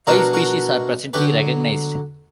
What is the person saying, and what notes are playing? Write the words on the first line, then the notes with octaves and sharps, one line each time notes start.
Five species are presently recognized.
B2 F#3 B3 D4 F#4 A#4
F#4 A#4
D3 F#3 G4 B4